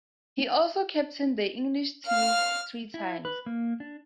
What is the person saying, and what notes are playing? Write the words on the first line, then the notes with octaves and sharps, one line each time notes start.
He also captained the English team three times.
F5 F6
E4
B4
A#3
D4